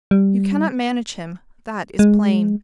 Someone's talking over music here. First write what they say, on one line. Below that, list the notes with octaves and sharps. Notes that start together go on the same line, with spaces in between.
"You cannot manage him; that is plain."
G3
G#3